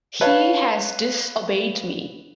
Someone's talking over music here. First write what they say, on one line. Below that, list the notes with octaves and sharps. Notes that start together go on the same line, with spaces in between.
He has disobeyed me.
B4 C#5 F5 A5